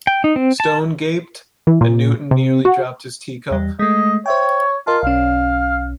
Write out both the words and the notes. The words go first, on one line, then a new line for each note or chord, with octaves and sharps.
Stone gaped, and Newton nearly dropped his teacup.
G5
D#4
C4
A5
E3
A#2
C3
F#4
E2 G3
G#3 A3 D#5
C5 C#5 E5 G5
F4 A#4 D#5 A5
B1 C#4 F5